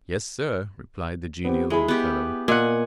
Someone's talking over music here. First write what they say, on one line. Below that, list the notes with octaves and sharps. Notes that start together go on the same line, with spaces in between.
"Yes, sir," replied the genial old fellow.
B3 C4 G4
G#3 E4 G#4 B5
B3 G4
A#2 D#5 F#5 G#5